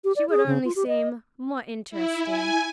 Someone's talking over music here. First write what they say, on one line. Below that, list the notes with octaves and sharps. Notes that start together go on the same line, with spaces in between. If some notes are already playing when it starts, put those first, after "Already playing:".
"She would only seem more interesting."
G4
D5
G#4
C#3
F4
G4
D#5
E4
G#5